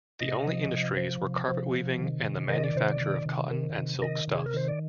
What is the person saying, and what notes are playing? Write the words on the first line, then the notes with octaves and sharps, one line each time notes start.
The only industries were carpetweaving and the manufacture of cotton and silk stuffs.
C3 D#5
F3
C3
F3
C3
F3
C3
D#3
C3
D#3 D#5
D5
C3 C5
D5
D#3
C3
D#3
C3
D#3 D#5
C3
G#4
A#4
D#3 C5
D5